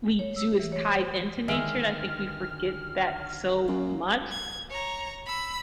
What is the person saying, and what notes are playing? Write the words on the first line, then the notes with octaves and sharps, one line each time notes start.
We do, it's tied into nature and I think we forget that so much
C#5
E6
E3
C#5
C5
D3 D#3 G#3 E5 F6
F#2 A#3
G#6
C#5 A#5
B5 E6